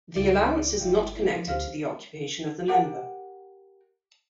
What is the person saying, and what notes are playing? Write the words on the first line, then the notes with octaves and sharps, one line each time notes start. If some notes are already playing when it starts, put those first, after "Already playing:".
The allowance is not connected to the occupation of the member.
C#2 E4 F4 G4 D5
G1 E4 F4 G5
E4
F3
D2 F4 G4 C5 F5 F6
G4 A#4 F#5